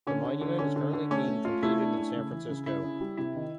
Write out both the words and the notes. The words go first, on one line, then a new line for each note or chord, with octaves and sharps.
The monument is currently being completed in San Francisco.
D3 C#4
D3
D3
D3 C#4
D3
D3
A3 C#4
A3
F4
A3 E4
D4
A3
C#3
E3
C#3
C#3 E4
C#3
G3
C3 E4
D#3